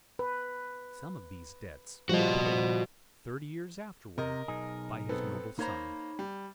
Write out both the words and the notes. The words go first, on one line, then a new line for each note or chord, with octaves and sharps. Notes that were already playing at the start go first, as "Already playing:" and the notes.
Some of these debts were paid, thirty years afterward, by his noble son.
B4
F3 G3 F4 F#4 D#5
C3 A#4 D#5
B1 D#4 G#4
B3 C4 A4
A#3 D#4 C5 C#5 A#5 B5
G3